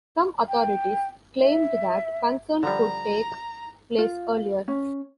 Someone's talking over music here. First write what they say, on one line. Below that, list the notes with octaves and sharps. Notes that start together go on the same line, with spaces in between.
Some authorities claimed that consent could take place earlier.
G5
E5
D3 F3 G3 A#5
F4
C#4